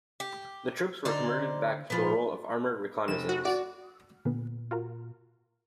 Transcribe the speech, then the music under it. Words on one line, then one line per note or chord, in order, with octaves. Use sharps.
The troops were converted back to a role of armoured reconnaissance.
G4
D3 D#4 C5 D5
A#2 F3 B3 F4 B5
F1 E7
F#4
F#4 D5
A#2 D3 B3
F4 F#4 A#4